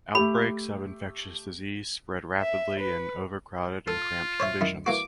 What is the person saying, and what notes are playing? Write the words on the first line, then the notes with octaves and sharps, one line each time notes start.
Outbreaks of infectious disease spread rapidly in overcrowded and cramped conditions.
A3 G4 B5
E5
B4
F4 A4
C5 C#5 E5
F#2 D#3 E4
E3 A#3 F#4 D6